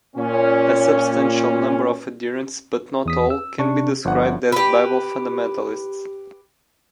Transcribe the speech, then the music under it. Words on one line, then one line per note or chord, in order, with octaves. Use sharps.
A substantial number of adherents, but not all, can be described as Bible fundamentalists.
A#2 C#4
E2 D#6 B6
E6
C3 D4 C#6
G1 F3 D4 F#5
G4 B4